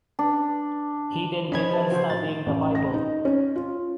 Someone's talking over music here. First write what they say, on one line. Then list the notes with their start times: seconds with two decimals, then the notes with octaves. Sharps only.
He then began studying the bible.
0.19 D4
1.52 F3 C#4 D#5 B5 G#6
1.71 G4 B4 A5
1.91 C#3 F4 F#4 C5
2.10 A2 A6
2.46 A1
2.75 A#6
2.94 D#4
3.25 C#4
3.56 F4